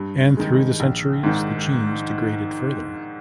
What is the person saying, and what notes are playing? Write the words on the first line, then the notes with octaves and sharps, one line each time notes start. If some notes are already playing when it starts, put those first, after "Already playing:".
And through the centuries, the genes degraded further.
Already playing: G2
D#3 G#3
A#1
G#2 D#3